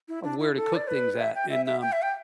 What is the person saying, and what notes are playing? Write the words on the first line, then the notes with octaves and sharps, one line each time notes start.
of where to cook things at, and, um,
E4
D4
E4
A4
D5
B4
E5
G5
E5
E5
G5
E5
G5